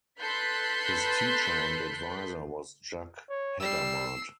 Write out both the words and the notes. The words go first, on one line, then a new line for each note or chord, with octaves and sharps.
His teacher and advisor was Jacques Hadamard.
A4 B4 C6 F#6 G6 B6
C#5
G3 E6 C7